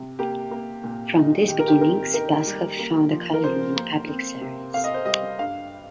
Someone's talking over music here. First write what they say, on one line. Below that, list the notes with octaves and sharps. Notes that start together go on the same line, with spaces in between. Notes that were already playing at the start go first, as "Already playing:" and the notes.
From these beginnings, Bazhov found a calling in public service.
Already playing: C3
A#3 G4
A#3
A#2
D#4
D#3 G4
A#4
G4
C4 A#4
D#4 A#4
G3
A#3
F3
A#4
F3 C5
A#3
C4
C3
C4 F5
D#5
C5
G3 D#5
G2 F5